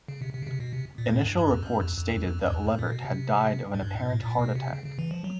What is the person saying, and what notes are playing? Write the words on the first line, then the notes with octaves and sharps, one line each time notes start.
Initial reports stated that Levert had died of an apparent heart attack.
C#3
C3
C3
C#3
C3
B2
C3
A#2
G#2
A2
G2
G2
F2
F#2
F2
F2
F2
F2
G2
E2
F2
F#2
A#2
B2
C3
G#2
G2
G#2
A2
A#2
B2
C3
C#3
C#3
E3
F3
F#3